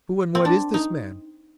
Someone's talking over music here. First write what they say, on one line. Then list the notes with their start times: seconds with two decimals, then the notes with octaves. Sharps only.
"Who and what is this man?"
0.35 C4
0.45 D4
0.74 D#4